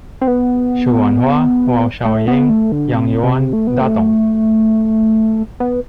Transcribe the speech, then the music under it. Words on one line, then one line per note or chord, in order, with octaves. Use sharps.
Xuanhua, Huashaoying, Yangyuan, Datong.
C4
B3
A3
B3
A3
D3
C3
C3
A3
B3
A3
B3